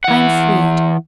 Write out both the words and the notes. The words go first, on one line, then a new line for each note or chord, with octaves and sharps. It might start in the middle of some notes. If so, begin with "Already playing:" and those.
I am freed.
E3 F#5